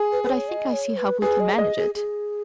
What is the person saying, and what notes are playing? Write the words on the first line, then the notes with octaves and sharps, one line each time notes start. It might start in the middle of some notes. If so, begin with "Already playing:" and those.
But I think I see how we can manage it.
Already playing: G#4
B4
B4
C#5
D#5
C#5
B4
G#4 B4
D#5
A#4
G#4 D#5
G#4
G#4